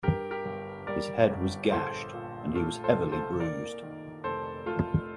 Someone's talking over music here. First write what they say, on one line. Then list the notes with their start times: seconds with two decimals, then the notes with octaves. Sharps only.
His head was gashed and he was heavily bruised.
0.03 G2 G4 A#4
0.31 G4 A#4
0.45 G1
0.87 G3 A#4 D5
1.29 G1
1.71 A#1 A4 C5
2.13 A#2
2.55 A3 F4 A4
2.84 A4 C5
2.97 C2
3.12 A4 C5
3.39 A#3 A#4 D5
3.83 D#3
4.24 F1 A4 C5
4.66 A3 F4 A4